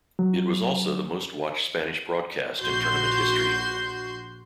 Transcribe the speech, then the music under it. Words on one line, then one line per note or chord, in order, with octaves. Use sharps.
It was also the most watched Spanish-language broadcast in tournament history.
F#3
A#1 F#4 C6 G6